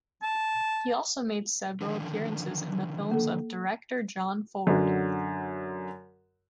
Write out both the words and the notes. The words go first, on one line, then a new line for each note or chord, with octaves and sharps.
He also made several appearances in the films of director John Ford.
A5
D3 D#3 F3
A#3 A4
F#2 D3 F#3